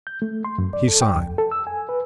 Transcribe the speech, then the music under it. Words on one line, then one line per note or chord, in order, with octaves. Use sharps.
He signed.
G6
A3
C6
F#2
D5
A4
G5
F2
A4
E6
G#5
B4